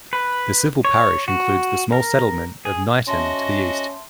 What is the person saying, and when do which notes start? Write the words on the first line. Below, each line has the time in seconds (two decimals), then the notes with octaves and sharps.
The civil parish includes the small settlement of Knighton to the east.
0.13 B4
0.85 C#5
1.28 F#4
1.92 A#4
2.65 G#4
3.07 C#4 F#4 D#5 E5 A5 C6